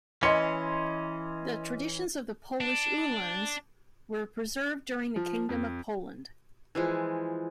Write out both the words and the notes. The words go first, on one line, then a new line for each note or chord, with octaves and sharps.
The traditions of the Polish uhlans were preserved during the Kingdom of Poland.
E3 C#4 D#5 C6 C#7
D4
F3
F2
E3 F3 G#3